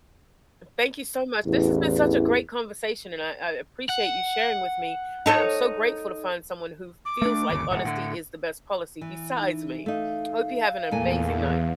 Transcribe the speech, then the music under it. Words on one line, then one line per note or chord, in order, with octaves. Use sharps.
Thank you so much. This has been such a great conversation, and I I appreciate you sharing with me, and I'm so grateful to find someone who feels like honesty is the best policy besides me. Hope you have an amazing night.
A1 E2
F#5
D#4 A4 C#5
D6
A3 D4
G1 D#2 C#3
D1 A2 F#5
A2 D3
E3
D#4
A3 D#4 F5
E2 A#2 A3 G#5